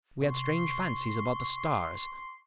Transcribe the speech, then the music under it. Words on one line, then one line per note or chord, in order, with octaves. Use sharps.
We had strange fancies about the stars.
C3 C6 C#6